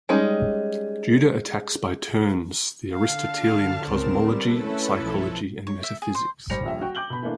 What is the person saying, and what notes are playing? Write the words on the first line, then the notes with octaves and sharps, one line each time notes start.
Judah attacks by turns the Aristotelian cosmology, psychology, and metaphysics.
G3 G#3 C#4 D#4
D3 F5 A5 F6
C#2 G2 C4 A#4 E7
G3 E4 A4 B4
A3 C#4
B1 F3 E4 A4 C#5
C#5
E5
G#4
C5
D#2 G3 C5 A#6 C#7 F7
D#1 A#1 E5
F#4 G5
G5 D6 G6 F#7 G7
B2 B5
E3 A3 A#3 D4